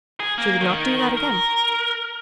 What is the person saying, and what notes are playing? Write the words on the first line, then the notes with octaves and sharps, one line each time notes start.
She would not do that again.
G#4
A#3
D#3
A#4